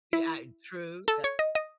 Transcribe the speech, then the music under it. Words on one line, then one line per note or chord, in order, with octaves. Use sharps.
Yeah, I true, the
E4
A4
C#5
D#5
D#5